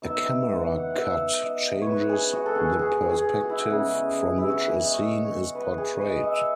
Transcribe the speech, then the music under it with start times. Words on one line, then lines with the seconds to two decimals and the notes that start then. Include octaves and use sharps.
A camera cut changes the perspective from which a scene is portrayed.
0.02 F#3 B3 D#4 E5
0.49 F#5
0.62 E5
0.75 F#5
0.90 E5 F#5
1.40 D#5
1.82 B4 C#5
2.09 G#4
2.33 F#4
2.46 A4
2.55 G#4
2.79 G#4
3.10 G#4
3.40 F#4
3.50 E4
3.60 F#4
3.70 C#3 G#3 B3 E4 G#4
4.37 E4
4.50 F#4
4.62 G#4
4.82 D#5
4.94 C#5
5.25 C#5
5.55 B4
5.78 G#4
5.95 C#5
6.01 D#5
6.24 E5